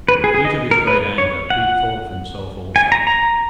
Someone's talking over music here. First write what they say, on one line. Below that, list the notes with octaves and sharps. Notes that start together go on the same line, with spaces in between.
In the heat of his great anger Pete thought of himself also.
B4
G#4
G#4
D#5
A#4
B4
C#5
F#5
G#5
A#5
A#5